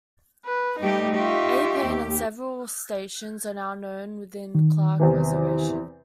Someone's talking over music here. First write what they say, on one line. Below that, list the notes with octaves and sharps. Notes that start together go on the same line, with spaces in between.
A. Paine, and several stations are now known within Clark Reservation.
B4
G3 A3 D#4 G4
F4 G4 E5 C#6
D#2
D#3
E2 C3 E3